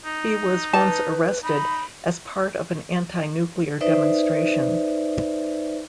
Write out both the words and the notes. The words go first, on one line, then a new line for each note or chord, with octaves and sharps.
He was once arrested as part of an anti-nuclear demonstration.
D#4
B4 A5
D#4 B5
D#4 B4 C5 D5 E5